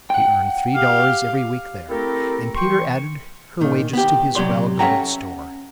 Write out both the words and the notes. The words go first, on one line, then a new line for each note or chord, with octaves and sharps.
She earned three dollars every week there, and Peter added her wages to his well-guarded store.
F#5 G5
G4 F5
A3 C4 E4 G4 A4 A#4
E3 G5 C6 C#6
A#2 D#3
B3 G4
C3 F#3 C4 G4 D5 C6
C#4 A4 E5 F#5 G5 A#5